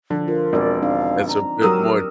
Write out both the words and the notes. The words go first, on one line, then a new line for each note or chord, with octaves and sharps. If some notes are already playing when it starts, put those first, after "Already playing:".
that's a bit much,
D3 F3
F4 A#4
E1 C4 D4 D5
C4 D4 D#4 F5
A#5
F#3 G4 A#4 D#6 E6